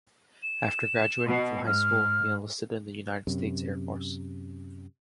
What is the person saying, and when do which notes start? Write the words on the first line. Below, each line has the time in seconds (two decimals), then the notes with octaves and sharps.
After graduating from high school, he enlisted in the United States Air Force.
0.43 E7
1.26 B2
1.67 G#2 F6
3.27 F#2 C3